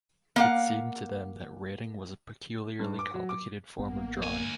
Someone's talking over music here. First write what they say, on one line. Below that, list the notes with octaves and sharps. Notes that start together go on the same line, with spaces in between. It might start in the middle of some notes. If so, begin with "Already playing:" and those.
It seemed to them that writing was a peculiarly complicated form of drawing.
A#3 F5 F#5
G2
D6
F#3
D6
A1 A#3 B3
D2 G#5